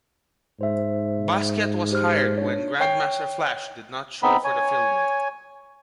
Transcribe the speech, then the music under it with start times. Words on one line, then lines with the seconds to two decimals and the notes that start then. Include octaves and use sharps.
Basquiat was hired when Grandmaster Flash did not show for the filming.
0.61 G#2 C5 E5
1.92 G4 C5 F6
2.38 D4 C#5
2.80 C#5 G5 C7
4.23 B3 C4 D#4 B5
4.44 C#5 G#5